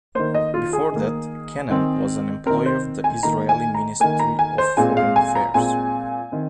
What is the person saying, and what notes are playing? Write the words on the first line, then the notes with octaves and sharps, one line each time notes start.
Before that, Kenen was an employee of the Israeli Ministry of Foreign Affairs.
D#3 A#3 C5
D#5
F4
G#4
D#3 A#3
D#3 C4
D#3 C4 A#4
C5
G#5
D#3 A#3 A#5
G#5
A#5
D#3 A#3 G#5
A#5
G#5
C5
A#2 G#3 C4 G#5
F5
G#5
A#5
A#2 G#3 C4 G#5
D#3 C4